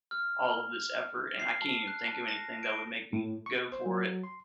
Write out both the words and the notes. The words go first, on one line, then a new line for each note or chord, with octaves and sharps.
all of this effort, and I can't even think of anything that would make me go for it.
F6
C7
A5
F#6
A5
A#6
D7
A2
C#6
C5
F#3
C6